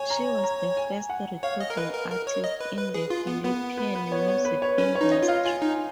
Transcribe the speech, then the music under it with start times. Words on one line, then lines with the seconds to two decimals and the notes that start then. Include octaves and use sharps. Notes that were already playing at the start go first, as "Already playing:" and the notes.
She was the first recording artist in the Philippine music industry.
Already playing: C#5 G#5
0.10 A#5
0.44 A#5
0.77 G#5
1.10 F#5
1.43 C#5 F5
1.60 D#5
1.70 A#4
1.77 B4 D#5
1.94 A#4
2.11 A#4
2.27 C#5
2.44 D#5
2.61 B4
2.77 B4
2.94 G#4
3.10 F4
3.27 B3
3.44 B3 B4
3.77 B4
3.95 B4
4.12 C#5
4.28 C#5
4.45 B4
4.62 C#5
4.78 C#4 B4
4.95 C#5
5.01 D#4
5.12 D#5
5.23 F4
5.28 F5
5.45 F4 G#5
5.62 D#4